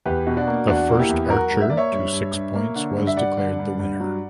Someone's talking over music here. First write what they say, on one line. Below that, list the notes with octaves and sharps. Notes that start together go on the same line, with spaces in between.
The first archer to six points was declared the winner.
E2 G4 B4
B2
D4 F#4
A#3
E2 D4 F#4
A#3
E4 G4
E2
B4
F#3 F#4 A#4
G2
E5
A#3 D5
C#5 E5
G2
G2
G2
A#3
D3
G2
E5
G2 D5 F#5
D3
G2
G2
F#3